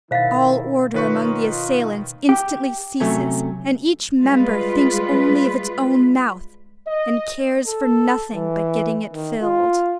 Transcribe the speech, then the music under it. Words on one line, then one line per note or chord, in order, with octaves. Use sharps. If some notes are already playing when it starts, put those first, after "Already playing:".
All order among the assailants instantly ceases, and each member thinks only of its own mouth, and cares for nothing but getting it filled.
B2 D#3 E4 C5 F5 F#5 A6
D#3 D#4 F4 B4 C#5 C#6
G4
C3 F#3 A3 C#4
G3 G#3 F4 B4
D#5
A4
E3
D#3
F4